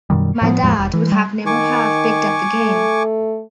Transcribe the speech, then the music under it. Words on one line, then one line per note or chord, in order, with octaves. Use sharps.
My dad would have never have picked up the game.
F#2 B2 D#3 G3
A2 F3 A3 B3
E2 A2 F3 G#3
E1
E3
G3
D#3 G#5 C#6 D6
A3